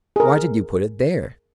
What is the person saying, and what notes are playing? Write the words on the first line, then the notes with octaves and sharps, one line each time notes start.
Why did you put it there?
G#4 A#4